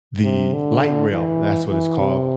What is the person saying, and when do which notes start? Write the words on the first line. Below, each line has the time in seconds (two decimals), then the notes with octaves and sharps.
the Light Rail that's what it's called,
0.24 C3
0.53 D3
1.11 E3
1.69 E3
1.99 C3